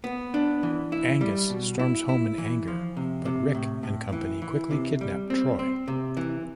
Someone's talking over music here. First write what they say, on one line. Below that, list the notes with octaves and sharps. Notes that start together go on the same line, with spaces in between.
Angus storms home in anger, but Rick and company quickly kidnap Troy.
B3
D4
E3
E4
G3
B2
E4
E4
E3
F3
C3
C3
A2
A2
E3
E3
C3
G3
C4
C4
C3
E3